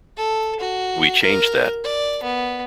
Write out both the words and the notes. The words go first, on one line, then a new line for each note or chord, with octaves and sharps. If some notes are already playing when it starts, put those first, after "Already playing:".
We changed that.
A4
F#4
A#4
D5
B3